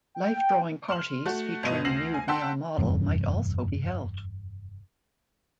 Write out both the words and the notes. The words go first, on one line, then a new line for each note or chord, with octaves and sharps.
Life drawing parties featuring a nude male model might also be held.
G5
C6 F6 E7 F#7
A3 F#4
G1 B2 D#5 D#7
D2 A#6 C7 E7 F#7
G#5
F#5 G5 A5 C6 E6 B6
F1 E2 G2 C3